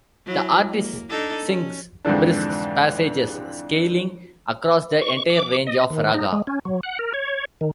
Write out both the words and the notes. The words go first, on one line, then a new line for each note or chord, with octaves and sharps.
The artist sings brisks passages scaling across the entire range of raga.
F#3 E4
A#3
D4 D#4 A4
C#4
F2 G#2 D3 E3 D4
C#6
D6
D#5
D#3
D#4
G#3
C#4
F#3
F#5
A#4
C#5
D#3